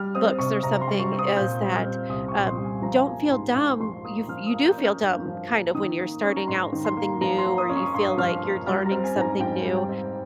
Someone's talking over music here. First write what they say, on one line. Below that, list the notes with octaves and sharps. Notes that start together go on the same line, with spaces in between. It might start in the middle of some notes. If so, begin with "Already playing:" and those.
books or something, is that, um, don't feel dumb, you f you do feel dumb kind of when you're starting out something new, or you feel like you're learning something new,
Already playing: G3 F6
C4 D#6
C3 C#6
C3 A#5
C6
G3
C#6
C4
D#6
A#2 G6
G3
F6
C4
C2 D#6
A#2 C#6
C6
G3
G#5
F3 A#5
A#3 G#5
G#2 C6
G#2 C#6
F3 C6
A#3 D#6
F3 F6
D#6
A#3
G6
C#4
F6
G2
F3
A#3
D#3 D#6
A#3
C#4
A#5
G#2 C6
D#3
C6
A#3
F3 A#5
C6
A#3
D#6
C#4
C#6
G2 C6
F3 F6
A#3
G3 F6
A#5
C4
G#5
G#2
A#5
G#2 G5
G3
G5
C4